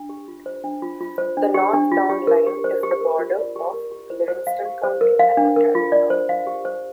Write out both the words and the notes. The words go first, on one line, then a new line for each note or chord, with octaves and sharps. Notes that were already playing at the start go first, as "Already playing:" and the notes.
The north town line is the border of Livingston County and Ontario County.
Already playing: D4
G4
F4
C5
D4
F4
F4
C5
D4
G4
D4
F4
G4
A#4
G4
C5
G4
A#4
F4
D5
G4
A#4
G4
C5
C5
F5
G4
C5
A#4
F5
D4
A#4
F4
D5
C5
F5
G4
C5